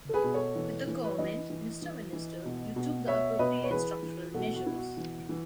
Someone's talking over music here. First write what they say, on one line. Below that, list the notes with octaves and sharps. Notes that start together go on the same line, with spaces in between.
With the Government, Mr Minister, you took the appropriate structural measures.
A4
G#4 B4
B2
A4 C#5
E3
E3
B4
C#5
E3 B4 D#5
E3
E3
E3
B2
B2
B2 C#5 E5
B2 B4 D#5
C#5
E3 G#4 B4
E3
B2 F#4 A4
F#4
B2 E4
F#4
E3
E3